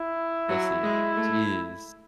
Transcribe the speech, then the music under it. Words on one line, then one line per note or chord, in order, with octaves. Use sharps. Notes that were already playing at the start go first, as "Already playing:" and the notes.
I see. Jeez.
Already playing: E4
F#3
G#3
A3